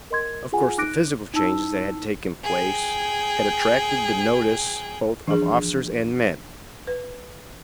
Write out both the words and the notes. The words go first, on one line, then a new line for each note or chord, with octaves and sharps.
Of course, the physical changes that had taken place had attracted the notice both of officers and men.
A#4 D#5 C6 G#6
F4 G#4 F#5 G#5
D#4 D6 F#6 A#6 D7
D#4 E4 A5 E6
G#4 G5
E3 F3 D4 G#4
B4